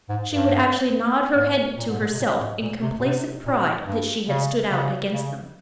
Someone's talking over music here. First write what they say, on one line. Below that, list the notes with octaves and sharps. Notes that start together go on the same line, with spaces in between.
She would actually nod her head to herself in complacent pride that she had stood out against them.
G#2
G2
G#2
A#2
G#2
A#2
C3
A#2
G#2
A#2
C3
A#2
C3
A#2
G2
C#3
C#3
C#3